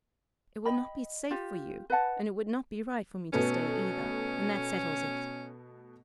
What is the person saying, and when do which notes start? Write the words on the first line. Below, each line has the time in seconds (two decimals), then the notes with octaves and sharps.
It would not be safe for you and it would not be right for me to stay, either, and that settles it.
0.65 D#5 G5 B5
1.31 F4 G4
1.90 B4 D#5 F#5 A5
3.33 B2 A3 B3 C#4